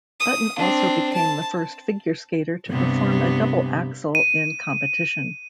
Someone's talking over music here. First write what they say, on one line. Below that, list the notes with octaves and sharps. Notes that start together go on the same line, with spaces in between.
Button also became the first figure skater to perform a double axel in competition.
D#6
C4 D4
A5
G2 C3 B3
D#7